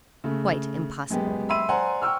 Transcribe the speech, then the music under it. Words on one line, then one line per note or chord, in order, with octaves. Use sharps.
Quite impossible!
C#3 A3
F#2 G#3 B3 G4
E5 B5 C6 E6 D#7
C5 D5 F#5 G#5 A#5 C6
G5 C#6 E6 F6